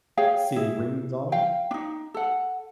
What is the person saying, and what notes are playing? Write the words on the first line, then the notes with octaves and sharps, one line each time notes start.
See any rings on him?
G#4 C#5 F5 G5
E4 G#4
F5 G5
D4 D#4
A4 F#5